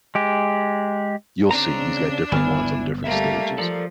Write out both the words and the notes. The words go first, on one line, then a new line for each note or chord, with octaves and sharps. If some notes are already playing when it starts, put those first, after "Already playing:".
You'll see, he's got different ones on different stages.
G#3 G4
C#3 C4 D4 A#5
G1 B3 E4 G#5 F6
G3 A3 A#3 E5
F3 A4 A#4 D5